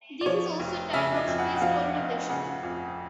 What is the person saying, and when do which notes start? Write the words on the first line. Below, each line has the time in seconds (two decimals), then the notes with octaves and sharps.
This is also a time of space colonization.
0.21 D5
0.26 F3 C#5
0.60 F1
0.93 C#3 E5
1.16 D#5
1.27 F2
1.39 F#5
1.56 F#5
1.62 F3 F5
1.95 F1
2.29 C#3 F#5
2.63 F2